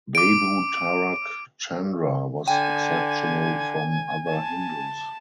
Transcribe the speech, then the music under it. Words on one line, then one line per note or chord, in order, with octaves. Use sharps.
Babu Tarak Chandra was exceptional from other Hindus.
D6 D7
D3 G5 G#5
A5